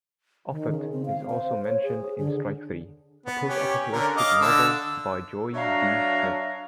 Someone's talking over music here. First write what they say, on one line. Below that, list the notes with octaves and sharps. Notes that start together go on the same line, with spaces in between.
Offutt is also mentioned in Strike Three, a post-apocalyptic novel, by Joy V. Smith.
D#3
C#3
C4
F5
C5
C#5
G#4
D3
B3
C#4 G4
D3 C#4 A#4
D#5 F5 D6
D3 E6
F#3 D4 E5 F5 A#5